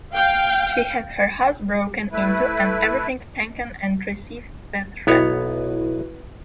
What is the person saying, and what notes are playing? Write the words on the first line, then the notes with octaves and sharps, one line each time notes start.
She had had her house broken into and everything taken and received death threats.
F5 G5
A3 E4 B4
B1 B3 E4 F#4 B4 C#5